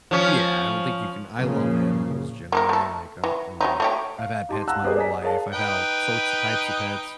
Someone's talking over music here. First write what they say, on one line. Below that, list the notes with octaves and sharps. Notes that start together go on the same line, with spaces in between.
Yeah, I don't think you can I love animals generally, like, uh, you know, I've had pets my whole life. I've had all sorts of types of pets,
F3 C#4
A#2 C#3 F3
A#3 A4 A#4
A3 A4
E3
F#3 C#4 D#4
A3 C#4 G4
F5
D#4 G4 A5 C6
F5 F#5 A5 A#5 E6 F#6
B3 G4 G#4 A#4 C5 D#5
D5 D#5 G#5 A#5 B6
G#4 A#4 C#5 F5 A5
D#4 B4 G5